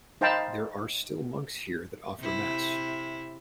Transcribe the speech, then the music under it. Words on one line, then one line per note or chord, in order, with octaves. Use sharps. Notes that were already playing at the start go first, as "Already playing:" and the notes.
There are still monks here that offer mass.
D#4 C5 F5 G5 A5 B5
C3 E4